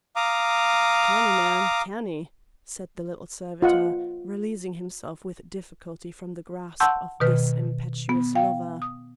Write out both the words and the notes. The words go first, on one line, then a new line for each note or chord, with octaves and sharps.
"Canny, man, canny!" said the little servitor, releasing himself with difficulty from the grasp of this impetuous lover.
F5 A#5 D6 D#6
F4 D#5 F#5
F#5 A5 C6 C#6 E6 G6
B2 D#3 B4 F6
B3
F5 G5
D#6